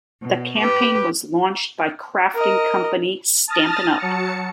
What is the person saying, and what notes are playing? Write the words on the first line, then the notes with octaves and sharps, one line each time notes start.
The campaign was launched by crafting company Stampin' Up!
B2
G4 B4
A#4 D#5
A5 D#6 F6 A6 A#6
F#3 A5 C#7